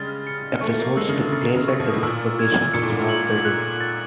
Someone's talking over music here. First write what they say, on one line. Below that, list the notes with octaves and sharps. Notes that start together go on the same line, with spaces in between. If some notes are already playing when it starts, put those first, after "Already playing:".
Episodes took place at different locations throughout the day.
Already playing: C#3 G3 G#3 F6 A6
C#7
A3 C#6
A3
A#3
G#3 E6
C#3
D3
C#3 A6
C#3
C#6
B2
A2
A#2 E6
G#6
A#2 C#7
A2
G#2
A2
F#7
F#6
A6